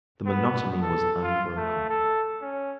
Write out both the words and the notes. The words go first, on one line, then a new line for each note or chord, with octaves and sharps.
The monotony was unbroken.
B3
A4
F4
A3
A4
C#4